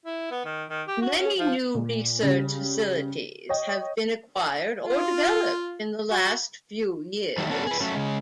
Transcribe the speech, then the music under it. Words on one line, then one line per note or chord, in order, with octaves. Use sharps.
Many new research facilities have been acquired or developed in the last few years.
E4
B3
D#3
D#3
G4
F#4
C#4
F3
A#2
C#3 G3
C#5 D#5 G5
F4
F#4
D#3 F#3 G3 A3
B3 C#4 D4 F#4 A4
G#4 B4
F#3 A3 C#4
C#3 G#3